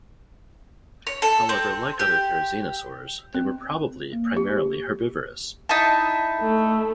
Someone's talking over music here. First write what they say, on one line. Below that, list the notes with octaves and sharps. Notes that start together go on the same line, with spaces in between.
However, like other therizinosaurs, they were probably primarily herbivorous.
C#5
A4
C4
G4
C4
A#3
G4
D#4 E4 A5
A3